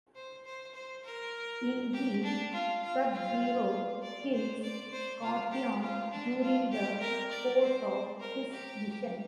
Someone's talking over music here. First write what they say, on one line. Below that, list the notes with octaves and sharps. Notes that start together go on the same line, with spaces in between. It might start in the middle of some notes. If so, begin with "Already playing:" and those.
Indeed, Sub-Zero kills Scorpion during the course of his mission.
C5
C5
C5
A#4
G4
D4
F4
F4
F4
D5
C5
D5
C5
F4
G4
F4
D4
F4
G4
A#4
D5
C5
A#4
G4